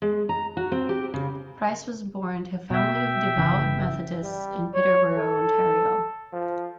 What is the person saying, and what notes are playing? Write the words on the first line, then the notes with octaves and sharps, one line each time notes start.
Price was born to a family of devout Methodists in Peterborough, Ontario.
G#3
A#5
F#4
C4
G4
C#3
B2 E5 G5
G1 C#3 E3
G3
C#5
A4
F3